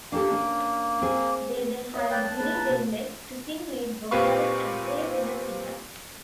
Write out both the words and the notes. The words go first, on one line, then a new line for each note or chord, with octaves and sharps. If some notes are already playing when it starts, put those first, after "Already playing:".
They then hired Billy Denmead to sing lead vocals and play rhythm guitar.
A#3 D4 G4 A4
C#4 D4
C4 G#4
C#5 E5 D#6
B4 D5 G5
A5 F#6
G#3 A#3 B4 C#5 A5
A#5 B5
B2
A#2 C4 G4 B4 F5 C#6